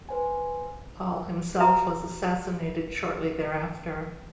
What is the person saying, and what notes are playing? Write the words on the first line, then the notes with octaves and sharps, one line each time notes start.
Paul himself was assassinated shortly thereafter.
B4 C5 G#5
F#4 B4 E5 G#5 A#5